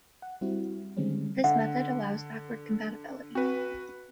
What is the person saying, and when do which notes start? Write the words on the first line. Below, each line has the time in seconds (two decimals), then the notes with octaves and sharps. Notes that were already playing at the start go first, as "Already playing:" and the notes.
This method allows backward compatibility.
0.22 F#5
0.41 G3 C4 E4 F#4
0.97 D3 D#3 G3 G#3 C4 C#4
1.44 D3 F#5
3.35 C4 F#4 B4